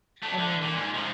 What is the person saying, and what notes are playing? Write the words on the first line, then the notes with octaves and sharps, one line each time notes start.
I mean,
A3 D4
D3
A#2
G#2
C3 F3